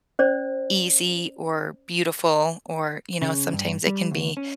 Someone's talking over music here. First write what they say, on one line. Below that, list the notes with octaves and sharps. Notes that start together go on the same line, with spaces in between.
easy or beautiful or you know, sometimes it can be
C#4 C5 D5
C#3
G2
G3
D2
C#4